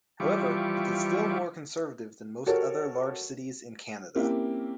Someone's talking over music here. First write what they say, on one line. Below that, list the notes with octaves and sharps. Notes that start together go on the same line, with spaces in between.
However, it is still more conservative than most other large cities in Canada.
E3 F3 G3 C#6 D6
F#4 G4 A4 A#4 C#5
A#3 C4 C#4 E4 G4